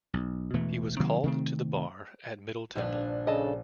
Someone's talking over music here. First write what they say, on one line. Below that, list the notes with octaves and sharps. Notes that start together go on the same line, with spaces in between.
He was called to the Bar at Middle Temple.
B1
E1 B2 E3 A3
C3 D#3 F#3 A#3
C3 D#3 A3 C4
A#1 G2 D4
C#3 A4 D#5